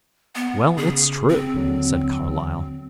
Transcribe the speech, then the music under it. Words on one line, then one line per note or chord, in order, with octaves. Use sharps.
"Well, it's true," said Carlyle.
B3
C#3 G#4
C4
D#2 D3 F#3